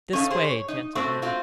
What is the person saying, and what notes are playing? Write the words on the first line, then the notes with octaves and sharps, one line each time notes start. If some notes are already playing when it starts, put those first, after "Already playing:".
'This way, gentlemen!
C#4 D#4 A4 F5
G#4 C5
C#5
D#4
A3 C4 C#4 F#4
A3 C4 F4 F#4